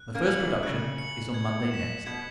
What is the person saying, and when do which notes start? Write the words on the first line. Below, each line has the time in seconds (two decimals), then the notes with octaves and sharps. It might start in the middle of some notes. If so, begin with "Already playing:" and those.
The first production is on Monday next.
Already playing: F#6
0.14 A#3 C#4
0.27 C#7 F#7
0.39 E3
0.63 C#3 F#6
0.98 C#7 F#7
1.34 G#6
1.71 B6 E7
2.06 B2 G#6